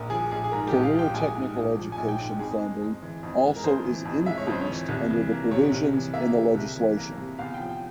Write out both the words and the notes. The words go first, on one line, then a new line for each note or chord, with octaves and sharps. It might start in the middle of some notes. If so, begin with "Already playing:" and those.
Career technical education funding also is increased under the provisions in the legislation.
Already playing: A#1 A#4
F3 G#4
A#1 G#4
G#4
G#2 A#4
G4
A#1
F5
F3
G5
A#1 G#5
G#2
A#1
F3
G#5
A#1
G5
G#2
G5
F2 G#4
G#3
F2
E3
F2
G#3
A#4
F2 C5
E3
F2
G#3 E5
C#5
F2 C5
C#5
E3
C2
E3
A#3
C3 C#5
C2
E3
A#3 E5
C3
C2
E3
A#3
C3
E2 F5
G5
F3
G5